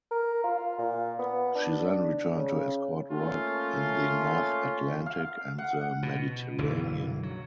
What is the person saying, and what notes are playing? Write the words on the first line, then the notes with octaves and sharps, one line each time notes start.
She then returned to escort work in the North Atlantic and the Mediterranean.
A#4
F4
A#2
B3
D4
C#3
A3 A#3 C#4 F4
F5
F#5
B2
F#1 B1 D3 E3
F#3